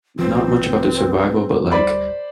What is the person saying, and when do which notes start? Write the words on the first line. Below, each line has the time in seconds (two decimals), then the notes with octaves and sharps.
not much about the survival, but, like,
0.19 C2 F3 C4 B4
1.71 D1 G3 C5 D5 B5